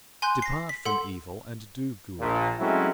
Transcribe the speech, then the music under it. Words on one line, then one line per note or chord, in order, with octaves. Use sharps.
Depart from evil, and do good.
G#5 C6 F#6 G6
A#6 C7
B6
A4 F#5 C6
A#1 A#2
F#3 G#3 A3 C4 C#4 E4